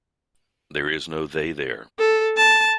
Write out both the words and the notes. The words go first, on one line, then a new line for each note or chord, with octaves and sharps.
There Is No They There.
A4
A5